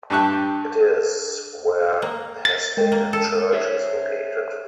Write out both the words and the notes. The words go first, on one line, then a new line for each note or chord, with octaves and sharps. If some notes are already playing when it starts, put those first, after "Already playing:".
It is where Hessdalen Church is located.
G2 G4 A5 C#6 F#6
A#3
A6
G#3 G5
A#3
A4
G#4 C5 C#5 E5